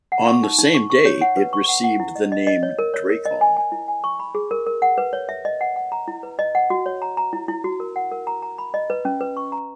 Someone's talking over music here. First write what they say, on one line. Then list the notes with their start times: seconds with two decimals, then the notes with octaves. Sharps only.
On the same day it received the name "Drakon".
0.12 F#5
0.28 C#6
0.43 D#4
0.59 D#4
0.75 C#6
0.90 C#6
1.05 C#5
1.21 F#5
1.37 B4
1.53 C#6
1.69 F#5
1.84 F#5
2.00 E4
2.16 D#5
2.32 D#5
2.47 D#5
2.63 C#5
2.79 A#4
2.94 C#5
3.10 A#4
3.25 D#5
3.41 G#5
3.57 G#5
3.72 E4
3.88 G#5
4.04 C#6
4.20 B5
4.35 G#4
4.51 A#4
4.67 A#4
4.82 F#5
4.98 B4
5.13 C#5
5.29 E5
5.45 D#5
5.61 F#5
5.76 F#5
5.92 A#5
6.08 E4
6.23 B4
6.39 D#5
6.55 F#5
6.70 F#4
6.86 C#5
7.02 A#5
7.17 A#5
7.33 E4
7.48 E4
7.64 F#4
7.80 A#4
7.96 F#5
8.11 A#4
8.27 A#5
8.42 A#5
8.58 B5
8.74 D#5
8.90 B4
9.05 C#4
9.21 B4
9.37 C#6
9.52 A#5